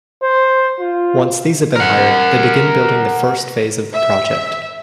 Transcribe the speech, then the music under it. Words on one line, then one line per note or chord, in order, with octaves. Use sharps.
Once these have been hired, they begin building the first phase of the project.
C5
F4
A#4 F#5
E5